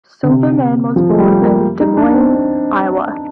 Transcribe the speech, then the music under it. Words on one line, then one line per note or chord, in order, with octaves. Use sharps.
Silberman was born in Des Moines, Iowa.
D3
C3
F3
A3
G3
A#3
D#4
D4
C4